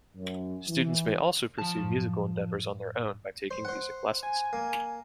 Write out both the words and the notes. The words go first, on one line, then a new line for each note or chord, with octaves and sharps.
Students may also pursue musical endeavors on their own by taking music lessons.
F#2
E3
F3 A5
F#2 A2 F#3
C5
C5 F#5
G#5
A#3